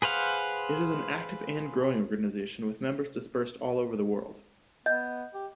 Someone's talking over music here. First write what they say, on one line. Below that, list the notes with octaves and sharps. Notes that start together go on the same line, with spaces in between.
It is an active and growing organization, with members dispersed all over the world.
G#4 B4 C5 F5 F#5
B3 D#5 G6
G4